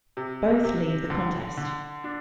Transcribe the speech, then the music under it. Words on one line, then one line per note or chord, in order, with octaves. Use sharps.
Both leave the contest.
C3
C3
D3
D3
D4